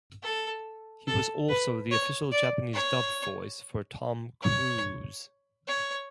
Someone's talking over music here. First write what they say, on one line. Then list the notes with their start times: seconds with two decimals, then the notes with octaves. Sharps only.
He was also the official Japanese dub-voice for Tom Cruise.
0.23 A4
1.07 A4
1.49 B4
1.91 C#5
2.32 D5
2.74 C#5
4.42 C#5
5.68 C#5